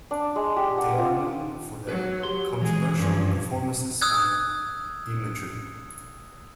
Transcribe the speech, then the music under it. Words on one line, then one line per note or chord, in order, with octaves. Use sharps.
They are known for their controversial performances and imagery.
D4
G#3
G4
F#5
F4
F#3 B4
G4 C6
E3 G#3 G#4
G2 F3
D#6 E6 F#6 G#6